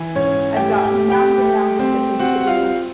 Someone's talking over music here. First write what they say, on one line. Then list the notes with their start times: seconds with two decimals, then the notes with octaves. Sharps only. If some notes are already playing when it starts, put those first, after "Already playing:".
I've got mounds and mounds of dishes to do
Already playing: E3
0.15 G#2 C#4 C#5
0.56 A3 G4 G5
0.75 G#5
0.83 G4 G5
0.97 A3
1.11 G4 G5
1.38 A3
1.79 C4
2.19 C4 F#4 F#5
2.41 F#5
2.47 F4 F5
2.61 C4